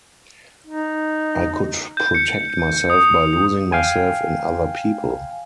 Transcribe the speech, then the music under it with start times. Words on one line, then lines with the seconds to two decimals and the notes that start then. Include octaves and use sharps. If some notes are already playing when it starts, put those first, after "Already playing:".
I could protect myself by losing myself in other people.
0.67 D#4
1.97 G6
2.15 C#7
2.90 D#6
3.72 F5 G5 G#5